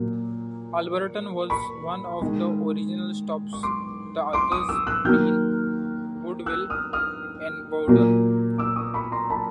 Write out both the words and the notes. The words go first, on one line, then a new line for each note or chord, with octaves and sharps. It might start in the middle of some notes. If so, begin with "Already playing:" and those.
Alberton was one of the original stops, the others being Woodville and Bowden.
Already playing: A#2 F#3 A#3
B5 C#6
D#3 G#3
C#6
C6 D6
C6 D6
C#6 D#6
D6 E6
E6 F#6
D#3 F#3 A#3 F6 G6
E6 F#6
D#6 F6
D#6 F6
A#2 F#3 A#3
D6 E6
C#6 D#6
B5 C#6
A#5 C6
A5 B5